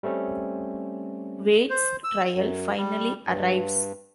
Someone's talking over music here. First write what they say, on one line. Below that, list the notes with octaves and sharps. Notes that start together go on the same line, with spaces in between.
Wade's trial finally arrives.
G3 A3 C4 C#4
C5
E6
F#2
G3
G2